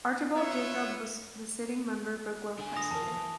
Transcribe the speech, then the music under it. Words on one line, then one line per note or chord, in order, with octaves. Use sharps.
Archibald Jacob was the sitting member for Gloucester.
F4 B4 C#5 E5
D3 G#5
D#6 A#6 F7
E2 A#4 A5
E3 F3
E3